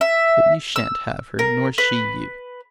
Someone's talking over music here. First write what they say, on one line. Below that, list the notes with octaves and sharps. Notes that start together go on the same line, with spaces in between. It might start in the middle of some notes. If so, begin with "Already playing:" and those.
But you shan't have her, nor she you.
E5
E6
A#4
B4